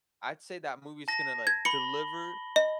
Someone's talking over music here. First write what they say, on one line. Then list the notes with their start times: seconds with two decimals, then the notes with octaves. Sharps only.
I'd say that movie's gonna, like, deliver
1.08 A5 A#6
1.47 G#6
1.65 B5 C#7 F#7 G7
2.56 D#5